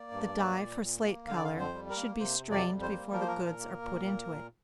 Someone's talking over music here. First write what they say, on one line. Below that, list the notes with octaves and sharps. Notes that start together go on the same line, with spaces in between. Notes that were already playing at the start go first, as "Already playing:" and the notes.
The dye for slate color should be strained before the goods are put into it.
Already playing: A#3 D5
G2
A#3
A#2
A#2
A#3
D3 F5
D5
F5
F2
C5
G3
A#4
A#3
C3 C5
F2
D5
G3
C5
A#3
F3 A#4
C5
A#4
A#2
A#3
A#2
A#3
A#2